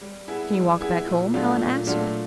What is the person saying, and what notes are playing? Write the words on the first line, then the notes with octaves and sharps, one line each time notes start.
"Can you walk back home?" Alan asked.
G3
B3 E4 G#4
G3
B3 E4 G#4
A#2
F#3 A3 D4 F4
A#2
F#3 A3 D4 F4